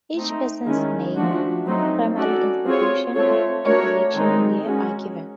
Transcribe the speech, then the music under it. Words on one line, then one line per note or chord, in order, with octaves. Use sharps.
Each person's name, primary institution, and election year are given.
A3 C4 D#4
D#3 G#3 C#4 E4
F3 A3 D4 F#4
F#3 A3 C4 D#4
C#4 F#4 A4 D5
C4 F4 G#4 C#5
A3 C4 F4 A4 C#5
A3 D4 F#4 A#4 C#5
D#3 G#3 C4 D#4 G#4
G#3 C#4 F#4